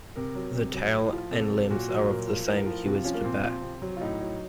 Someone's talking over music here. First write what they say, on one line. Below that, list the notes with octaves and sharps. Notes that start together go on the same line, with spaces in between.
The tail and limbs are of the same hue as the back.
C3 A#4
F#3
C3
F#3
A2
F3
C3 A4
F#3
A#2 F#4
F#3
A#2 A#4
F3
A2 A#4
F3
C3 F#4
F4
F3 C#4
A#3
A#2 C4
F3
C3
F#3
F4
A2 D#4
F#3